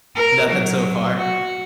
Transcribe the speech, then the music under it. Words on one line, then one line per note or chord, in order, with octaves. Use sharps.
Nothing so far?
A#4
F#3
F#4